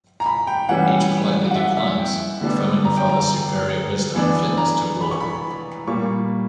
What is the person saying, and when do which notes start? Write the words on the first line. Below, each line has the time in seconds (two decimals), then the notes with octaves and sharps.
Each politely declines, affirming the father's superior wisdom and fitness to rule.
0.20 A#5
0.26 B5
0.47 G5
0.69 E3 G3 C#4 F#5
1.51 F#5
1.55 E5
1.77 E5
1.99 G5
2.41 D3 G3 B3 D4
2.85 A#5
2.97 G5
3.09 A#5
4.14 E3 B3 D4
4.58 A#5
5.01 B5
5.11 C#6
5.20 B5
5.87 A#2 G3 A#3 C#6